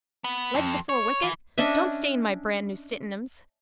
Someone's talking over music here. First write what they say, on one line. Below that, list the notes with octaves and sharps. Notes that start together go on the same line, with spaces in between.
Leg before wicket. Don't stain my brandnew sitinems.
B3
F2
C#5
E3
C#4 D4 D#5 E5